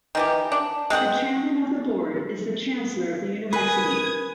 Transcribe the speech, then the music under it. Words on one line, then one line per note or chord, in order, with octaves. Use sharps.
The Chairman of the board is the Chancellor of the University.
D#3 E3 G4
D4
G#3 C4 A4 F#5
A#4 B4 G#5 B5 D#6 G#6